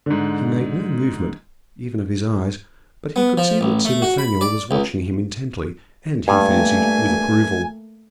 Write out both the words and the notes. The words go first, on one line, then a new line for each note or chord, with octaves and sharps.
He made no movement, even of his eyes, but he could see that Sir Nathaniel was watching him intently, and, he fancied, with approval.
G#2 D3
B3
F3
A1
A3
F#4
B5
D5
C#2
G2 A3 A#3 G#5